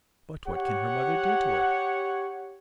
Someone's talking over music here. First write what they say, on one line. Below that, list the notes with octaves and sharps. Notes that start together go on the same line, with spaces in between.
"But what can her mother do to her?"
G4 C#5 F#5